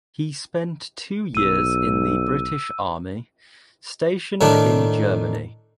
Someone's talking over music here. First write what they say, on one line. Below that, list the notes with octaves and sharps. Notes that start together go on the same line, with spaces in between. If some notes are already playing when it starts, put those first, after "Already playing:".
He spent two years in the British Army, stationed in Germany.
B1 E6 D#7
A2 D#3 D4